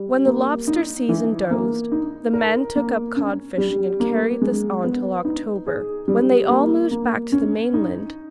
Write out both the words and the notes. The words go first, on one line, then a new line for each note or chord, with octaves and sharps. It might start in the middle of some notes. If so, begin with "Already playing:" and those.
When the lobster season dosed, the men took up codfishing and carried this on till October, when they all moved back to the mainland.
Already playing: G3
A#3
D#4
E3
A#3
D#4
A#4
A#3
C#4
G3
A#3
G#3
B3
D#4
G#4
G3
A#3
A#3
C#4
D#4